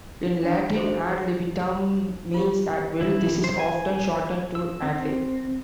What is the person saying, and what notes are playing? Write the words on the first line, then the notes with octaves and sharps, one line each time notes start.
In Latin, "ad libitum" means "at will"; this is often shortened to "ad lib".
D4
F#4 G#4 A4 C5
F4 G4
E4
C5
G#5
E6
C4